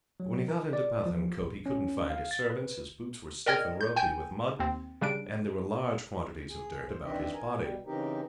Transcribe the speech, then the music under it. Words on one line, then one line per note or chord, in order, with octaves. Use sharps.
When he got into Pathankote, he couldn't find his servants, his boots were stiff and ropy with mud, and there were large quantities of dirt about his body.
F#3
A#4
D5
F3
A#1
C#4
F5
A6
B4
A#4 D5 D#5 G5 F6 G#6
G6
G5 G#5 G6
D#2 C4
C#3 G3 D4 D7
G#4
C5
D#3 E3 C4 D4 D#5 E5
A#4 G#5
B2 G3
C#3 E3 C4 D#4 G4 A#4